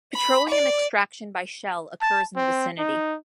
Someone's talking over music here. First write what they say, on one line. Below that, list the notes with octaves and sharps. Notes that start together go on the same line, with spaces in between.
Petroleum extraction by Shell occurs in the vicinity.
B5
D5
A5
C4
D#4